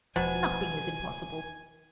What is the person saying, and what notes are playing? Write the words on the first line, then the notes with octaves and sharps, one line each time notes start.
Nothing is impossible.
E1 B2 F3 C5 G#5 A#5